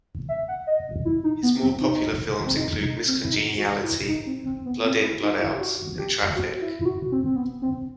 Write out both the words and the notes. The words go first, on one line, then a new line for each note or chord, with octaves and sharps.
His more popular films include "Miss Congeniality", "Blood In Blood Out" and "Traffic".
E5
F#5
D#5
E4
D#4
B3
C4
D#4
C4
D#4
D#4
C4
E4
D#4
F#4
E4
D#4
C4
C4
B3
C4
E4
D#4
E4
G4
F#4
G4
F#4
E4
E4
F#4
C4
C4
B3
C4